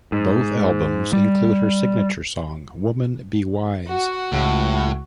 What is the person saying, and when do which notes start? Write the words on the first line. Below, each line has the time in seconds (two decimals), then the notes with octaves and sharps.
Both albums include her signature song, "Women Be Wise".
0.12 G#2
1.13 G3
3.90 F#4
4.32 C#2 A2